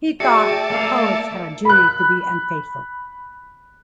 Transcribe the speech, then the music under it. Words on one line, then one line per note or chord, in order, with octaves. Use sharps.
He thought poets had a duty to be unfaithful.
A3 F#4 G#4 D5 E5 G5 A5 C#7
A3 A#3 A4 F5
B5 F#6